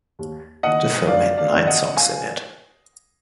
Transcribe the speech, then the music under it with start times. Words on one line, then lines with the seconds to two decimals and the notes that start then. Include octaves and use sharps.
The film had nine songs in it.
0.19 D#2
0.63 D#3 A#3 D#5 F#5
1.08 F#1 D5 F5
1.38 D5 F5
1.52 F2 D#3
1.67 D#5 F#5
1.96 F5 G#5